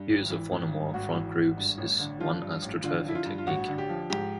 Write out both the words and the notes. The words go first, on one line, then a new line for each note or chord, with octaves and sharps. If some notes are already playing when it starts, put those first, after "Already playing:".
Use of one or more front groups is one astroturfing technique.
Already playing: G2
G#1
E3
G#1
G2
G#1 F#4
E3
G#1
G2
A1
D3
F3 F4
G2
A1
D3 F4
F3 E4
F4
G2
F4
A1 F#4
D3
G4
F3
G#2 G4